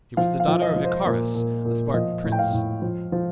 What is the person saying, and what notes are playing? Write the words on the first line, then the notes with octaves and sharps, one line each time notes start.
She was the daughter of Icarius, a Spartan prince.
F3 F5
F5
F3
D#5
F3
C5
A#2
A#2
A#2
F3 D#5
A2
G5
F5
A2
F3
F3